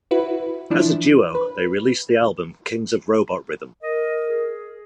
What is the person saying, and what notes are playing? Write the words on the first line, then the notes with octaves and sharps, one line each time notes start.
As a duo, they released the album "Kings of Robot Rhythm".
E4 F#4 B4
E3 F3 D4 E4
B4
A#4 D#5
G#4